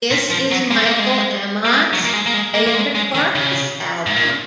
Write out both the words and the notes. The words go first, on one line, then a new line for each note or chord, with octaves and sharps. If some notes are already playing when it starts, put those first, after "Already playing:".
This is Michael Amott's favorite Carcass album.
A#2
F3
F#3
G#3
A#3
G#3
A#3
G#3
F#3
A#3
G#3
A#3
G#3
A#3
A#3
G#3
G#3
D#3
C#3
G#2
A#2